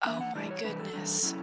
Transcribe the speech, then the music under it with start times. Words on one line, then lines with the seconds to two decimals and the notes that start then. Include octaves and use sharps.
Oh my goodness.
0.06 E3 G3 D4 E5
0.21 F#5
0.35 E3 G3 D4
0.51 C#5
0.64 E3 G3 D4 B4
0.79 A4
0.93 E3 G3 D4
1.23 F#3 C#4 E4